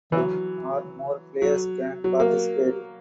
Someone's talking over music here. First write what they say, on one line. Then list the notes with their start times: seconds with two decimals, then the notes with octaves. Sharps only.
One or more players can participate.
0.12 E3
0.17 F#3
1.42 F#3
2.04 F#3
2.20 A#3